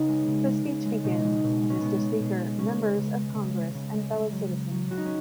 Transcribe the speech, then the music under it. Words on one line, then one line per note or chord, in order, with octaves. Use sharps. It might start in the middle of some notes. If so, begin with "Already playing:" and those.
The speech begins: Mr. Speaker, members of Congress and fellow citizens.
Already playing: C#3 B3 D#4
G#3
C#3
G#3
C#3
G#3
B2 D#4
G#3
B2
G#3
C#4
B2 B3
G#3
B2
G#3
C#3 C#4
G#3
C#3
G#3
C#3
G#3
C#3
G#3
C#3
F#3
C#3
F#3
C#3 F#4
D#4
C#4